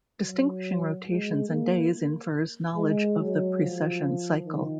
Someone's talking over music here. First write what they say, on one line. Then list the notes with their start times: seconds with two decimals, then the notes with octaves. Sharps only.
Distinguishing rotations and days infers knowledge of the precession cycle.
0.22 F#3
1.07 G#3
1.50 A#3
2.77 G#3
3.20 F#3
3.61 F3
4.46 D#3